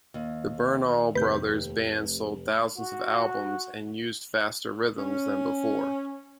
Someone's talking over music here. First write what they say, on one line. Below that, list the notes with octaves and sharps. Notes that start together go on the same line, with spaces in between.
The Bernal brothers' band sold thousands of albums and used faster rhythms than before.
D#2
F1 B4 G6
F#4
C#4